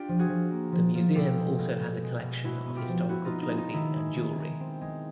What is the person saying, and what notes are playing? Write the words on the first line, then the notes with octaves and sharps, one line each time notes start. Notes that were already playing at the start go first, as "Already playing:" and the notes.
The museum also has a collection of historical clothing and jewellery.
Already playing: D4 F4 G4
F3
F#4 G#4
F3
A#3
F3
F3
B2 G4 A4
G#3
B2
B2
G#3
B2
G#3 E4 F#4
B3
F4 G4
F3
B3 E4 F#4
D#4 F4
B3
D#4
G#3
D#4
D#3 E4
G#3
D#3
G#3
C4
G#3